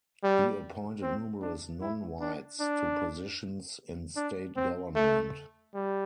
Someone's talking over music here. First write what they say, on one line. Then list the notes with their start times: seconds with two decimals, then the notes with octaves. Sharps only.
He appointed numerous non-whites to positions in state government.
0.24 G3
1.03 C4
1.42 D4
1.81 E4
2.21 D4
2.60 D4
4.16 D4
4.56 C4
4.95 A3
5.75 G3